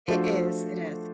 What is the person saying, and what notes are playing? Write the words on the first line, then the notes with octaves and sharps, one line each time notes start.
It is, it is.
F3 A3 D4 F#4 A4 C5